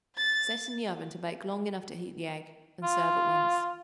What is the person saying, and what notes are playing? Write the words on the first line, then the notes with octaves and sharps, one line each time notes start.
Set in the oven to bake long enough to heat the egg, and serve at once.
A6
F4